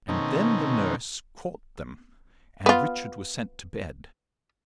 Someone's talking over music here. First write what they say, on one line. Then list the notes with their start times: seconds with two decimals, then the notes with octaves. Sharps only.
And then the nurse caught them and Richard was sent to bed.
0.09 B2 D#3 A3 C4 C#4 D#4
2.66 B3 F4